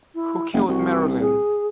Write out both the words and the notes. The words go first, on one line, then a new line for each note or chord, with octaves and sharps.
Who Killed Marilyn?
E4
F#1
C2 F#4
G#4